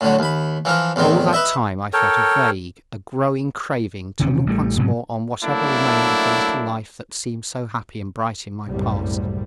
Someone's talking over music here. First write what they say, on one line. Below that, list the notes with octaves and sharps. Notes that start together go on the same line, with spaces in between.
All that time I felt a vague, a growing craving to look once more on whatever remained of the little life that seemed so happy and bright in my past.
A2 D3 F#3
D#2 B5
E3 F3 A#4
E2 A2 D#3 C4
B4 D#5 E5
A4 A#4 C#5 G5
E1 C3 D#3 C#4
A1 G3 A3
G#2 B2 F#3
F#3 A3 A#3 D4 E4
F#1 C2 A2 G3